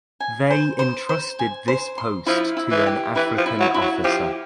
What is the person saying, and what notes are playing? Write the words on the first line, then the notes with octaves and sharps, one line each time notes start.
They entrusted this post to an African officer.
G#5
C5
C5
C5
G#5
C5
C6
F3 E4
E4
E3
G4
E3 E4
F3
E4
F#3
E4
F#3
F3 G4